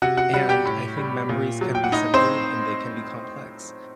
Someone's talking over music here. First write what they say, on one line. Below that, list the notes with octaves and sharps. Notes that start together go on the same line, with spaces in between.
and I think memories can be simple and they can be complex,
C3 F#4 F#5
F#4 F#5
G3 F#4 F#5
G4 G5
A2
G3
A#2
F#3
G5
F#5
A2 D#4 D#5
C4 C5